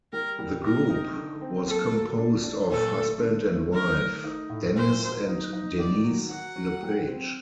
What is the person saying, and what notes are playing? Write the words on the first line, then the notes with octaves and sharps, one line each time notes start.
The group was composed of husband and wife Denis and Denyse LePage.
G3 A#4
G3
C3 A#4
D#4
D3
C4
A#3 A4
F#3
D4
D4
A#2 A4
A3
D3
A3
D#3 A#4
A3
D#4
A2
A#2 C5
F#3
D#4
D#4
D#3 D5
F#3
F#3 F#5
F#3
G3
C4